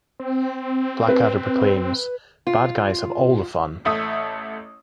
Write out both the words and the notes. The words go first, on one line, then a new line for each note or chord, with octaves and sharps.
Blackadder proclaims, Bad guys have all the fun.
C4
B4
F4
A1 A3 E5 D#6